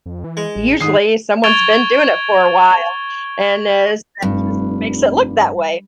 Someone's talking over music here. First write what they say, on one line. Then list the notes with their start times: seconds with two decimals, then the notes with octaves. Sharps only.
Usually someone's been doing it for a while, and is that just makes it look that way,
0.06 F2
0.24 E3
0.37 G#3
0.56 A1
0.81 G#2 D#3 D#6 C7
1.44 C#6 G#6 A6 D7 F7 G7
4.22 F1 G2